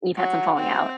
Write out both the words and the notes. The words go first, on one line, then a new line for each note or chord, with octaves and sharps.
You've had some falling out.
F#3
C4